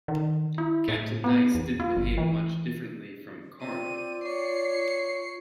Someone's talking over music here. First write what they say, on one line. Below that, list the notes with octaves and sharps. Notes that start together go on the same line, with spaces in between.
Captain Nice didn't behave much differently from Carter.
D#3
E4
A2
B3
E2
F4
G1
E3
C4 F4 D5 D#7
C#5 C7 C#7